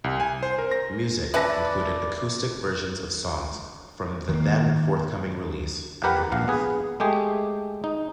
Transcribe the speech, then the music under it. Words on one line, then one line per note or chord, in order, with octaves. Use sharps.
Music included acoustic versions of songs from the then-forthcoming release, "Underneath".
C2
G#5
C5
A#4
A#6
C#4 E4 B4 D5 E5 A5 A#6
D#3 A#3
G4 A#4 B4 F#5
A#1 F5 F#5
B3 G#4 B4
G#3 A3 G4 G#4
D#4